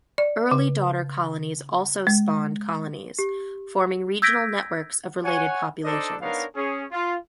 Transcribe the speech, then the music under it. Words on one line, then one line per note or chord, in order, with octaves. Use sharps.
Early daughter colonies also spawned colonies, forming regional networks of related populations.
D5
C#3
G#3
G4
E6 G6 G#6 A#6 B6 D7
C#5 F#5 G#5
D4 D#4 A4 C5 D5 D#5
B3 D4 D#4 A#4 C#5 F5
C#4 G#4
F4